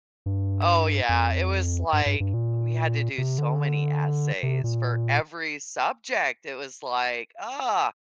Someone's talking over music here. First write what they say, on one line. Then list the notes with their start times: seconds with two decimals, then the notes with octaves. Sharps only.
Oh yeah, it was like, we had to do so many essays for every subject, it was like, oh,
0.26 G2
1.09 F2
1.93 G2
2.06 G2
2.20 G2
2.34 A#2
3.18 C3
3.38 D3
4.43 C3
4.64 A#2